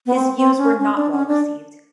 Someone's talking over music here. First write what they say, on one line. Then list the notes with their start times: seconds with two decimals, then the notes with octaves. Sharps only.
His views were not well received.
0.06 B3
0.15 C4
0.37 C4
0.58 C#4
0.80 C#4
0.96 D4
1.12 C#4
1.28 D4